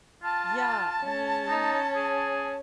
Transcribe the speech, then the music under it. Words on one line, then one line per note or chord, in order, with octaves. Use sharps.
Yeah, I mean
F4 A5
C#4
D#4
G#4